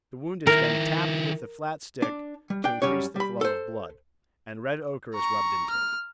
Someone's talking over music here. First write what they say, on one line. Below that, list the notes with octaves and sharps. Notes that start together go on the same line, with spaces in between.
The wound is then tapped with a flat stick to increase the flow of blood, and red ochre is rubbed into it.
D#3 E4 A#4
D4
G3
D4 G5
F#2 G3 C#4 C#5
G3 B5
A4 C5
A#5 C#6
F6